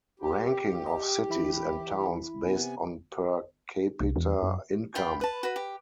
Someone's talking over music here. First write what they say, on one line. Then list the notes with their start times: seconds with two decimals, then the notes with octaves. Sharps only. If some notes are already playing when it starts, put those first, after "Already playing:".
Ranking of Cities and Towns based on per capita income.
0.19 G4
0.86 D#5
1.30 E3 E4 B5
2.45 C3 B3 G#5
4.00 C2
4.16 E2
4.42 F#2
4.95 F4 G5 B5
5.21 B4 A5
5.43 F#4 B4
5.56 G4